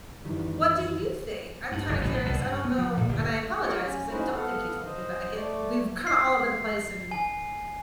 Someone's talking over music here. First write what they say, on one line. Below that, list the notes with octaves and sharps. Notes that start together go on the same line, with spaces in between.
what do you think? I'm kinda curious, I don't know, and I apologize 'cause I don't think you told me, but I get we've kinda all over the place. And,
F#2 D#3 E3 G3
G2
F#1
A1
B2
C2
G2
B3
F3
A#2
G1
F4 G4 A#4 C#5
C#4
C#4 D#4 E4 F#4 C5
B3 A4 F5 F#5
C5 D#5
A3 D5
C7
G#5